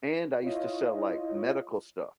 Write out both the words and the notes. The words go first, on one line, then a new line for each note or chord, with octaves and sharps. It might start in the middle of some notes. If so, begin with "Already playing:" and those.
and I used to sell like medical stuff
E4 F4 C#5 D#5